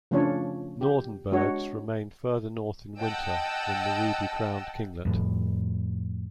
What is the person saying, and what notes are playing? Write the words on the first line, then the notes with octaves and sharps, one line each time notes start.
Northern birds remain further north in winter than the ruby-crowned kinglet.
C#3 F3 A3 C#4 D4 C#5
G4
G#3 D4 F#4 C#5
D#5 F#5 G5 A5 E6
F2 A2